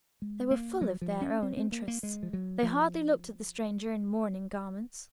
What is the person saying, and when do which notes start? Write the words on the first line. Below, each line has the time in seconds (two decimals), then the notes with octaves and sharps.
They were full of their own interests; they hardly looked at the stranger in mourning garments.
0.22 G#3
0.51 A#3
0.81 F#3
1.02 F3
1.21 C#4
1.43 C4
1.57 C4
1.72 A#3
1.88 A#3
2.03 G#3
2.23 F3
2.33 F#3
2.63 F3